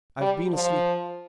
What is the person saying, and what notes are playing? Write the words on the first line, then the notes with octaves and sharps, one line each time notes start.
"I've been asleep."
G3
F3